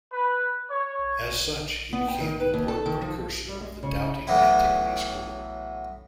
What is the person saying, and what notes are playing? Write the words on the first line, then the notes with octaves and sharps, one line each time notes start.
As such, he became an important precursor of the Doubting Antiquity School.
B4
C#5
B3
G5
D#3
B4
D#2
A4
D#3
F3
G3
G#3
C#3
A2 E3 F#3 B3 E4